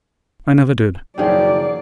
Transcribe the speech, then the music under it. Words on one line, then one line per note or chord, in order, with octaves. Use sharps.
"I never did."
F#1 D#3 F3 F#3 D4 G#4 C5 D5